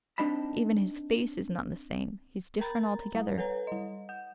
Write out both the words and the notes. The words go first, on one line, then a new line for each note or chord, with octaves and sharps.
Even his face is not the same; he's different altogether.
C4 D4 D#4 D#5 A5 B5
A#4 A#5 B5 A6
G3
A4 B4 C#5 A#5
G3 D#5
F#5 G6